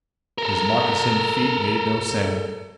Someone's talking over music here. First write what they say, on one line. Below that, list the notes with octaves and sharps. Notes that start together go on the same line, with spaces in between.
His moccasined feet made no sound.
A4 A#4